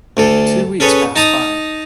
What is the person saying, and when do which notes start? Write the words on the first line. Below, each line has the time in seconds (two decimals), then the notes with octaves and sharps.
Two weeks passed by.
0.17 D2 D3 A4
0.80 C#4 G#4 A4 B4 C#5
1.16 D#4 A5 A#5 D#6